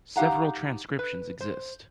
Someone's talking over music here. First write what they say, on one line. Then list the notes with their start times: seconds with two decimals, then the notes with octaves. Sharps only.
Several transcriptions exist.
0.16 D#4 G4 F5 F#5 A#5
0.99 B4
1.40 C5